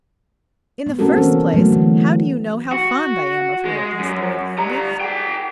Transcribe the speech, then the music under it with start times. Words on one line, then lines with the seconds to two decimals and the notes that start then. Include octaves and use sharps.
"In the first place, how do you know how fond I am of her?" asked Lord Lambeth.
0.87 B3
0.99 A#3 C4 C#4 F#4 A4 A#4
1.16 E3 B3 C#4
1.54 D3 F#3 A3 B3
1.72 E3
2.72 F#4
3.65 G#3
3.99 F#2
4.58 G3 A#5
5.01 G#4 G5